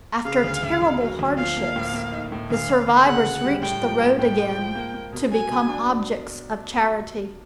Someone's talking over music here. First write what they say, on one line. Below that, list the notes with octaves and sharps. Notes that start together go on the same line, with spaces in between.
After terrible hardships, the survivors reached the road again, to become objects of charity.
C#3 F5
D2
D2
D2
F#3
D2
F3 F5
A#3
A2
A#3
D#4
A2
D2 F5
D2
D2
C#3 F#5
D2
G3
A2 G5
F3
A2
A2 G5
G#3
F3
A#3
A#3
B2
F#3 G#5
B2
D4